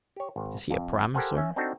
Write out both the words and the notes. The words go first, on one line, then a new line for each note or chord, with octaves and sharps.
Is he a promiser?
G4 C#5
G#1
F2
G4 A4 A#4 C5 F#5 G#5
C#4 E5
C4 D4 D#4 F#4 A4